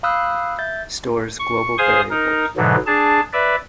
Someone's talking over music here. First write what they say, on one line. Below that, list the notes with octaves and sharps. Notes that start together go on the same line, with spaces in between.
Stores global variables.
F5 B5 D#6 E6 F#6 G6
E5 G6 A6
C#6
G#4 C5 F5 G#5 C6 D#6
D#4 A#4
G#2 B2 D3 E3 F#3
D4 G#4 A5
B4 D5 E5